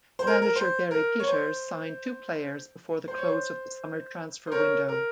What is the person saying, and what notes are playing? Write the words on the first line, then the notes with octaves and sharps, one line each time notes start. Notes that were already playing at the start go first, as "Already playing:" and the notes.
Manager Gary Peters signed two players before the close of the summer transfer window.
C5
A#4
A#4
C5
A#4
C#5
C5
C5
C#5
C5
C5
A#4 C#5
A#4